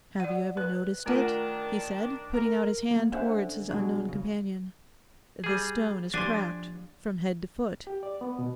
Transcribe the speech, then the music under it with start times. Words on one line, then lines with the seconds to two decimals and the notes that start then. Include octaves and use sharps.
'Have you ever noticed it?' he said, putting out his hand towards his unknown companion; 'this stone is cracked from head to foot?...
0.20 D5 F#5
0.57 B4 F#6
1.06 D#3 A3 D4 F4 A#4 F#5
2.33 A#4 A#5
2.91 A#3
3.12 D3 C#4 C5 E5 F#5
3.69 B2 F#3 G#3 D4
4.08 C#3
5.44 G3 G#4
6.14 F3 D4 G4 G#5 C6
7.87 G4
8.03 D5
8.21 B3
8.39 B2